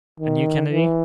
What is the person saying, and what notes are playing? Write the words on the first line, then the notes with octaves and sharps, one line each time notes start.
"And you, Kennedy?"
D#3
E3